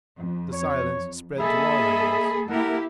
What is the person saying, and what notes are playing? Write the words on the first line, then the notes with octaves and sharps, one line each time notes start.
The silence spread to all animals.
F2
C#5
A#3 G#4 A4 D#5 E5 B5
A#3 E4 G4 A4 A#4 F#5